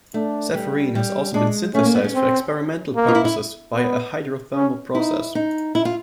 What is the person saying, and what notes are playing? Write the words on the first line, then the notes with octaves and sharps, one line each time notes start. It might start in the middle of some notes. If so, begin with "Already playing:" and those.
Sapphirine has also been synthesized for experimental purposes via a hydrothermal process.
A3 D4
G3
G3
G#3 D4
A3 C#4
A#3
B3
C#4
C4
A#3
F4
E4
E4
B3
C#4
D#4 E4
D#4
E4
F4